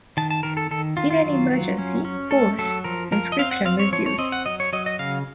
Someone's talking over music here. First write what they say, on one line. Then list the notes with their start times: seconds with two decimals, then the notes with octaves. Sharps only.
In an emergency forced conscription was used.
0.17 D#3 A5
0.30 A5
0.43 D#3 A#4
0.57 A4
0.71 D#3 A4
0.97 D#3 F4
1.11 F4
1.24 F#3
1.51 F#3
1.78 C#4
2.05 C#4
2.31 A3 A4
2.59 F#3 A4
2.84 F3 A#4
3.12 F3 A#4
3.32 D#5
3.39 C4 F5
3.51 F#5
3.65 C4 F5
3.79 C#5
3.93 F3 C#5
4.06 C#5
4.18 C4 D#5
4.32 F#5
4.46 F#3 D#5
4.60 C#5
4.73 F#3 D#5
4.86 D#5
4.99 C#3 F5